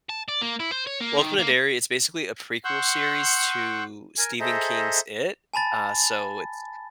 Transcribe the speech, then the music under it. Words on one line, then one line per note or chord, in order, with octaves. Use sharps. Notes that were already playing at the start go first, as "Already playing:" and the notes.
Welcome to Derry it's basically a prequel series to Stephen King's IT, uh, so it's
A5
D5
A#3
E4
C5
C#5
A#3
D#3
A#3
F#5 C6 C#6 E6 F#6 G6
A#4 G#5
G#4 A4 C5 D#5 E5 A#5
G#5 A5 B5 A6